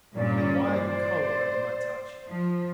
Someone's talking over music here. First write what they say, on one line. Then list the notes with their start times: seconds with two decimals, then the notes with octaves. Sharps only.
Then why are you cold under my touch?
0.16 G2 A#2 C#4 D5
0.70 C5
2.29 F3